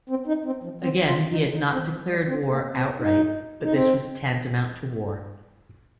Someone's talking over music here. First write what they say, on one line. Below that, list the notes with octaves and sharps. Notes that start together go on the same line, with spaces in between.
Again, he had not declared war outright - but this was tantamount to war.
C4
D#4
C4
F3
C4
F4
D#4
D#4
C4
F3
G3
C4
A#3
C4
D#4
D#4
C4